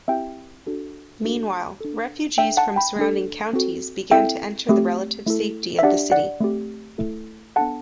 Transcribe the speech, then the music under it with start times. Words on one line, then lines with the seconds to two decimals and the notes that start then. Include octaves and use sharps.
Meanwhile, refugees from surrounding counties began to enter the relative safety of the city.
0.08 C4 E4 G4 E5 G5
0.66 D4 F#4 A4
1.24 A3 D4 F#4 A4
1.81 D4 A4
2.38 D4 A4 E5 G5
2.57 F#5 A5
2.76 G5 B5
2.96 A3 D4 A4
3.53 C4 F#4 A4
4.11 C4 E4 A4 E5 G5
4.69 A3 C4 G4
5.26 A3 E4 A4
5.79 E5
5.83 D4 G4 D5 F#5
6.12 D5 F#5
6.40 A3 C4 G4
6.98 A3 E4 A4
7.56 B3 D4 A4 F#5 A5